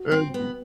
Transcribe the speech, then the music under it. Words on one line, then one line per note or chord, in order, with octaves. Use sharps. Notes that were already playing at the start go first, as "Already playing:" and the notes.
And, m
Already playing: F#4
C4
F#4
B3